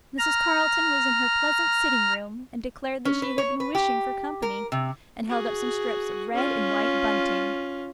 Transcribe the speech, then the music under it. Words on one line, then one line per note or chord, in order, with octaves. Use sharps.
Mrs. Carleton was in her pleasant sitting-room and declared that she had been wishing for company, and held up some strips of red and white bunting.
A#5 F6
C#4
B4
C#5
B4
G4
A#4
C3
F#4 G#4
C#4 F4